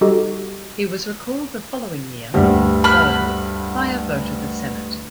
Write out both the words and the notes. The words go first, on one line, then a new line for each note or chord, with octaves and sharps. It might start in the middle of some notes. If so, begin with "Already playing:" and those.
He was recalled the following year, though, by a vote of the senate.
G3 D#4 F#4 G4 A4 D#5
D2 G2 G3
B5 F6 F#6